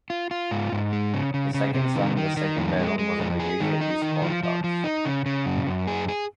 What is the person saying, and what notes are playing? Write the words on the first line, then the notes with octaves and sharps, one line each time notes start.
His second son, the second Baron, was a Brigadier in the Scots Guards.
F4
F4
G#2
G#2
G#3
C#3
C#3
C#3
C3
D#3
D#3
D#3
F2
G#3
G#3
F2
G#4
D#3
D#4
D#3
F3
F3
F3
D#4
C#3
C#3
F#2
F#2
G#4
G#4